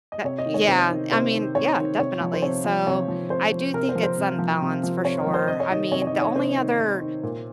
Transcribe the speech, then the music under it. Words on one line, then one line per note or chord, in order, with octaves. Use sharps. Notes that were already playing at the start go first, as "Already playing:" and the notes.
That yeah. I mean, yeah, definitely, so, I do think it's unbalanced, for sure. I mean, the only other
D#5
C3 C#5
D#5
D#3
C#5
C3 C5
D#3
C3 C5
D#3
C3 C#5
D#3
C3 C#5
F3
C5
C3 C#5
F3
C3 C#5
F3
C3 C5
F3
C3 A#4
C5
F3
C5
C3
F3
C3
F3
C3 C#5
A#4
F3
C5
C3 D#5
C#5
D#3 D#5
C3 C#5
C#5
D#5
D#3
C#5
C3 C5
D#3
C3
D#3
A#2